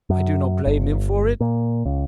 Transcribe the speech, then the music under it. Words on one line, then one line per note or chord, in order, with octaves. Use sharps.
'I do not blame him for it.
F#2
G1
A#2
C#2